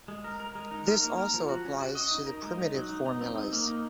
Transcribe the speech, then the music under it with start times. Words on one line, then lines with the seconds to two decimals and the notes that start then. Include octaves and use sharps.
This also applies to the primitive formulas.
0.08 G#3
0.24 A#4
0.40 A#4
0.55 G#3
0.71 D#4
0.87 A#4
1.02 A#3
1.18 A#4
1.34 F3
1.49 F#4
1.65 C#4
1.80 F#4
1.95 D#5
2.11 D#4
2.27 A#4
2.43 G#3
2.58 D#4
2.74 F#3
2.89 D#4
3.06 D#4
3.21 C4
3.36 D#4
3.53 A#3
3.67 D#4